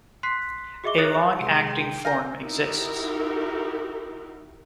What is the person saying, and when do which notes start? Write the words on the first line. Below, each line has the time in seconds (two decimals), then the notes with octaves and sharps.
A long acting form exists.
0.23 C6 F#6 B6 C7
0.84 F#4 G#4 D#5 E5 D6 G7
0.98 C#5 D#6 F#6 A6 A#6
1.40 C3 G#3 G#4 C6
1.70 G5
2.05 F5 G#5 A#5 G6 A#6
2.42 D#4 E4 F#4 G4 A#4